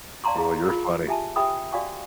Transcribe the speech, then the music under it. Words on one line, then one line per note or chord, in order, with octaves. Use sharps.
Oh, you're funny.
D5 F5 A5 A#5 C6 C#6
E4 G#4 F5
F4 A#4
G4 E5 G#5 A5
G4 B4 E5 G5 B5 D#6
F#4 D5 F5 G#5 C#6